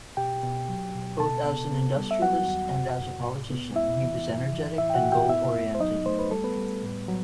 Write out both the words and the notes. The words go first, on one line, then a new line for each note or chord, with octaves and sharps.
Both as an industrialist and as a politician he was energetic and goal-oriented.
B2 G4 G5
B2
F#3
B2
B2 A4 A5
B3
B3
G3
E5
F#3 F#4 F#5
D#2
F#2
F#2
A2
B3
E2 E4 E5
E3
G2
E3
A2 E4 E5
G5
F#4 F#5
A2
G4 G5
B3 E4 E5
F#2
C5
F#3 D#4 D#5
A3 C5
B4
G3 A4
B3 B4
G3
A2
F#3